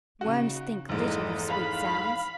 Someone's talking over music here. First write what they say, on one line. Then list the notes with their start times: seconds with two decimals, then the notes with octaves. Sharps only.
Worms think little of sweet sounds.
0.21 C#3 D#4 F#4
0.89 F1 G#2 E3 A#3 E4 A4 D#5
1.46 F5 B5